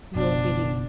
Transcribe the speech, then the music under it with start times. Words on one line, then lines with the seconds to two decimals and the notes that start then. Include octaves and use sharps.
Your BIDDY.'
0.15 F#1 B2 D4